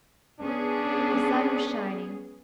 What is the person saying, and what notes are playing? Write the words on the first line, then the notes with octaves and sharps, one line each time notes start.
The sun was shining.
B3 C#4 D4 G#4